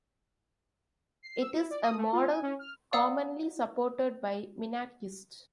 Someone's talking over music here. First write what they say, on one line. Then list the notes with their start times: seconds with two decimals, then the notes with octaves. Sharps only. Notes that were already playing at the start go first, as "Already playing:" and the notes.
It is a model commonly supported by minarchists.
1.23 C7
1.41 E6
1.55 E4
1.70 D5
1.83 D#6
1.97 A3
2.12 F4
2.29 G#5
2.42 C#4
2.59 F6
2.93 D5 F5 F#5 A#5 D#6 E6